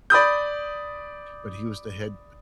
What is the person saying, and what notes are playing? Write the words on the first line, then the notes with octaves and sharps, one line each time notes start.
but he was the head
D5 B5 D#6 G6